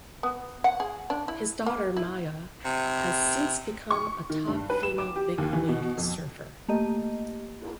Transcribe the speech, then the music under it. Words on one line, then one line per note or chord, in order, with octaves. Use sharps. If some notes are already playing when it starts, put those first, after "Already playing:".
His daughter Maya has since become a top female big wave surfer.
B3
F#5
G#4
D4
E4
A#3
E4
C3
C#6
D#3
G2
B4
E7
D6
G4
D#2
E3
B2
F2
A3 A#3 G4 D#5